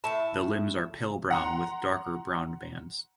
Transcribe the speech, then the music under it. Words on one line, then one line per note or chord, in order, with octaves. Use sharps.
The limbs are pale brown with darker brown bands.
A2 E5 A5
F#5 A#5 C6